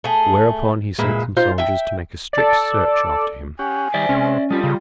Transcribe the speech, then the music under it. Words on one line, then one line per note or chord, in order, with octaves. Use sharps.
Whereupon he sent some soldiers to make a strict search after him.
A3 G#4
A#2 G#3 B4 E5
D#4 F4 C5
E5 G5
A4 D5
C#4 G4 F#5 G#5
D#3 G3 D5 E5
C3 G#3 C#4
G3 F4 G4 A4 D#5
C#3